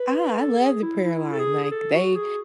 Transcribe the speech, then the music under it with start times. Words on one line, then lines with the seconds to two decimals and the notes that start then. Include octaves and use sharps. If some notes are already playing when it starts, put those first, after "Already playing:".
I I love the prayer line, like, they,
Already playing: B4
0.38 A4
0.60 G#4
0.82 E4
1.04 E4
1.32 A4
1.39 G#4
1.63 G#4
1.71 A4
1.94 F#4
2.16 G#4